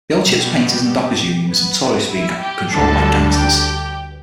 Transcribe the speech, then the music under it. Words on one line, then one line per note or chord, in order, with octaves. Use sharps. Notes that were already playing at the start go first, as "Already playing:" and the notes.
The old Ships Painters and Dockers Union was notorious for being controlled by gangsters.
B2 G3 B3 G4
B3 B4
E4 E5
G4 G5
D2 D3 G3 D4 A4 A5
G4 G5